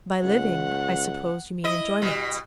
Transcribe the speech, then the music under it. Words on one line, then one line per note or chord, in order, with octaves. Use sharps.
'By living, I suppose you mean enjoyment.'
C#2 F#5
E4 D#5
B2 G3